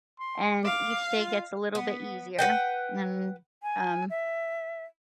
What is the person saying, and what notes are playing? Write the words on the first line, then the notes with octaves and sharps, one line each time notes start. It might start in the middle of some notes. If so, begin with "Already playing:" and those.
and each day gets a little bit easier. And, um,
C6
F5 D6
F4
B3
B4 F#5 G5
G#5
E5